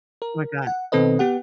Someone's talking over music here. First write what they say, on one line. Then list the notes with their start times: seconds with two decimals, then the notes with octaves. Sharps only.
Oh my god.
0.22 A#4
0.67 F#5
0.92 B2 D#3 C4 A4 B4 D#5
1.19 B3 G4 F#5